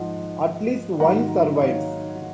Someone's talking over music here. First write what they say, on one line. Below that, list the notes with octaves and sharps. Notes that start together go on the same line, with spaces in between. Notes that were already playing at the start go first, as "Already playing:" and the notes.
At least one survives.
Already playing: G#2 F3 D#5 F#5
G#2 D#3 F#3 F#5 A#5
D#5
C#5 F5